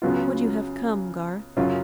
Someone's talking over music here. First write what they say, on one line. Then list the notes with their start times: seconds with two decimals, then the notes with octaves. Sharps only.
Would you have come, Garth?
0.02 C#2 C#3 F#3 B3 F4
1.57 F#2 C#3 F#3 C#4 F4